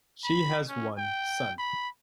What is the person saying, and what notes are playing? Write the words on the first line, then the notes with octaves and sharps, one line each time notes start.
She has one son.
B5
C#4
G5
B5